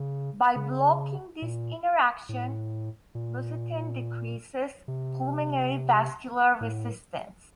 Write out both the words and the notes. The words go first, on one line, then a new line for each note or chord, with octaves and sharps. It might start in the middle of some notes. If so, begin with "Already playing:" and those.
By blocking this interaction, bosentan decreases pulmonary vascular resistance.
Already playing: C#3
C#3
A#2
A2
A#2
C3
A2